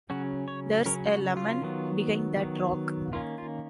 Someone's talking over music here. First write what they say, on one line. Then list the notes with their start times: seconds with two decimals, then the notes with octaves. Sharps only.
There's a lemon behind that rock!
0.10 C#3 F#3 C#4 F#4
0.48 C#5
0.86 C#3 F#3 C#4 A#4
1.06 F4
1.11 F#4
1.37 F4
1.62 D#3 F#3 B3
2.37 D#3 F#3 B3
3.13 D#3 A#3 C#4 F4
3.38 F4